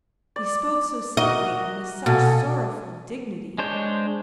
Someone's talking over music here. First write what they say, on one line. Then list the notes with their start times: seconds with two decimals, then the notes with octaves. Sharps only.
He spoke so simply and with such sorrowful dignity.
0.36 D5
1.17 F#4 A#4 D#5
2.06 B2 A4 F5 G#5
3.58 G#3 D4 C5 C#5 G6